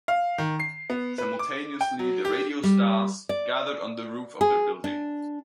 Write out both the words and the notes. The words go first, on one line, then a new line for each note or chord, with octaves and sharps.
Simultaneously the radio stars gathered on the roof of their building.
F5
D#3
C7
B3
B4
D6
G5
F#3
G4
G3
D5
G#4
D4